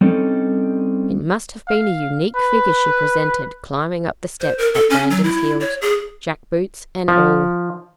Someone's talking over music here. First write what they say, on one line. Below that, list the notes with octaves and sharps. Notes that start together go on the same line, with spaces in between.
It must have been a unique figure she presented climbing up the steps at Brandon's heels, jack-boots and all.
G3 C4 C#4 D#4 A4
F5
B4
C5
A#4
A4
C#4
F#3
E4
C#5
G#4
F3